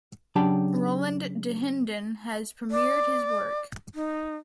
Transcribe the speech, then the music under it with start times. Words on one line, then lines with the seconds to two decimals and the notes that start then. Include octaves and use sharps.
Roland Dahinden has premiered his work.
0.35 C#3 F#3 D4 G4 G5 A5
2.71 D5
3.95 D#4